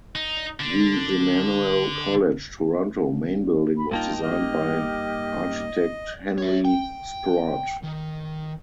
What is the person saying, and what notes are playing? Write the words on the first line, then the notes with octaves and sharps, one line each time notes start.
The Emmanuel College, Toronto main building was designed by architect Henry Sproatt.
D#4
D3
B5
G2 A#3 D#4 F4 G5 A5
G4 D#5 D6 F6
C#5 E5
G5
D#3